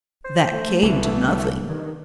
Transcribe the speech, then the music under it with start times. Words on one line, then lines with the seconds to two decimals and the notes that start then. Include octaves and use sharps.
That came to nothing!
0.25 C5
0.51 A3
0.83 C2 D3 E3
1.69 G2 D#3